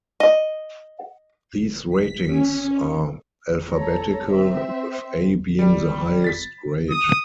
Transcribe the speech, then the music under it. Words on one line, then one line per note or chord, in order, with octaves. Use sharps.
These ratings are alphabetical, with "A" being the highest grade.
D#5
B6
C#4
A4 C#5 A#5
C4 E5
G3
A6 B6
D#6